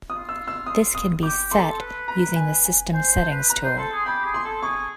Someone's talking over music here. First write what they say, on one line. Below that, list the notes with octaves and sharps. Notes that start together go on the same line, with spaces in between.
This can be set using the System Settings tool.
F4 D#6
E6
E6
D#6
D#6
G4 D6
A4 C6
B4
A#5
G#5
G#5
C5 G#5
C5
A5
B4
B4 A#5
C5
A4 C6
G#4
G4 B5
G#4
C6
A4
G#4 C#6